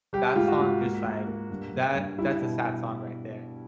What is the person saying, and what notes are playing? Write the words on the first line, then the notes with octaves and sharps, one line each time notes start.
That song just, like that that's a sad song right there
G3 G4
G#2 F4
F#4
G#2
A#3
A#3
A#3
G2
G2
G2
G3 E4
B2